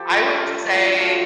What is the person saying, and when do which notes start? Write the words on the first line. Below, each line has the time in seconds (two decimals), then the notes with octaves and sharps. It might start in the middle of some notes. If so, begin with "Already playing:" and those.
I would say,
Already playing: F3 G4 A4
0.10 A3 F4
0.28 A3 A4
0.47 A3 A4
0.64 F3
0.83 D4
0.95 F4
1.01 F3